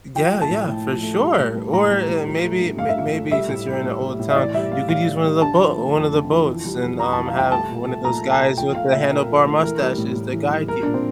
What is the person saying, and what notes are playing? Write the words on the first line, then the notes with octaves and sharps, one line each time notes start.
Yeah, yeah, for sure. Or, eh, maybe may maybe since you're in an old town, you could use one of the bo one of the boats and, um, have one of those guys with the handlebar mustaches to guide you.
F3 G5
A3
A5
A2
A2
F3
A3
G3
A2
G3
A2 A#5
G3
A2
F3
A3
G2
G2 F5
E5
F3 F5
A3
G3 E5
A2
G3
A2
G3
A2
E5
E3 D5
G3 E5
A2 F5
A2 F5
E3
G3
D3 A5
F3
A3
F2
D3
F3
E3
G3
F2
F2 A#5
E3 A5
F5
G3 G5
A3 A5
A#2
A3
A#2 A#5
A3
A5
A#2
F3 G5
A3 F5
A#2 E5
A#2 A#4
F3
A3
E3 A#4
G3
A2
A2
E3
G3
G3 A#4
A#2 D4
C4